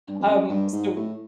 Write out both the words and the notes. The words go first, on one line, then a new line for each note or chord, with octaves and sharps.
um, so
G2
F2
F#2
G2
G#2
A2